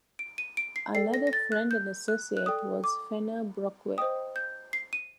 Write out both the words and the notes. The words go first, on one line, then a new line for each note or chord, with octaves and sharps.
Another friend and associate was Fenner Brockway.
D7
D#7
D7
C7
A4 D5 G5 C7
A#6
A#6
A6
F#6
G6
F#6
F#6
A4 D5 G5 D#6
D6
C5 D#5 G5 D#6
G6
C7
D#7